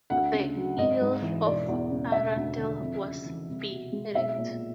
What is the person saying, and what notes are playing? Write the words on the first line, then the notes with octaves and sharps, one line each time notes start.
The Earl of Arundel was beheaded.
D2 F#5
C#3
F#3
G#1 D#5
G#2
E3
E1 D5
E2
C#3
E1 E5
D2
D3
F2
C#3
E3
C2
B2
G#3
B1 E5
A#2